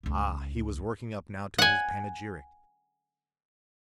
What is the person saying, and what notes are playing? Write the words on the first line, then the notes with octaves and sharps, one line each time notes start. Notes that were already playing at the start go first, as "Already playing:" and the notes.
Ah! he was working up now to his panegyric!
C#2 D3
F#5 G#5